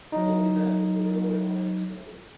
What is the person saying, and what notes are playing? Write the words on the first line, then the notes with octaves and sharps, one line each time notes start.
Only then was the railway line extended.
F#3 D#4